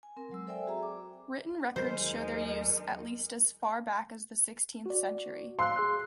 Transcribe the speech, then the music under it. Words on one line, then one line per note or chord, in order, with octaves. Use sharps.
Written records show their use at least as far back as the sixteenth century.
G#5
C4 A#4
F#3 G#3 E6
A4 C5 D5 E5 G5 G#5
C4 F#4 G#4 E5 A#5
D6
D#2 F#3 G#3 D#4 A#4 C5
F#4 D5
F5 C6 E6 F#6
G#4 E6 F#6